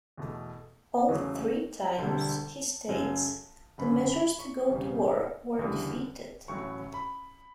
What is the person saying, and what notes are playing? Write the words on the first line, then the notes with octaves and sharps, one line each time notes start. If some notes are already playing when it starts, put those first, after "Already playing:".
All three times, he states, the measures to go to war were defeated.
E2 B2 A3
E2 C#3 F#3 A3
E1 D2 D3 G3 A5
F#2 C#3 F#3 A3
G1 F#2 C#3 B5
B5
C#6
E1 E2 C#3 G3
F#1 E2 D3 G3
A1 A2 F#3 C#6
B5